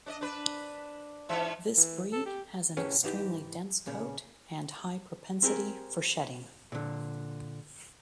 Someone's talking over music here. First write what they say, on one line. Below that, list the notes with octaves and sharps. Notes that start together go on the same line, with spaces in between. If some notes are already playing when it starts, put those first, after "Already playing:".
This breed has an extremely dense coat and high propensity for shedding.
D4 D5 D#5
D4 B4
G#2 E3 E5
E3
A4
G4
C2 A2 C#4 G#4 B4
G#2 E3 D#4 G4
B1 A#2 C#3
C4 G4 G#4 A#4
A#2 D3